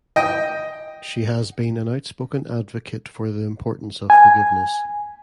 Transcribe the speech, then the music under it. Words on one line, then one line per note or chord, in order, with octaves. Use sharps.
She has been an outspoken advocate for the importance of forgiveness.
D#5 G5
G#5